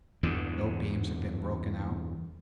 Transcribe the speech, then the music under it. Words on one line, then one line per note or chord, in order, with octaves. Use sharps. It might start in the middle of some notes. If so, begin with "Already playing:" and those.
No beams have been broken out.
E2 G2 D3